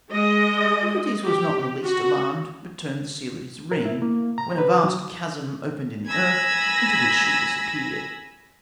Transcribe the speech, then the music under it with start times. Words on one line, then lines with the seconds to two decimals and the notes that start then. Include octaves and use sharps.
Eucrates was not in the least alarmed, but turned the seal of his ring, when a vast chasm opened in the earth, into which she disappeared.
0.11 G#3 D#5
1.24 G4
1.85 F#4
3.72 A#4
3.85 E4
4.02 A#3
4.38 A#5
4.58 B4
4.84 F#3
6.08 G#5 B5 E6 G#6 A#6